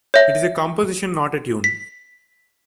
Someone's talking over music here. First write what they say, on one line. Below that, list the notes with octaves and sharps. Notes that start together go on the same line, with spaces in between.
It is a composition not a tune.
C#5 E5
B6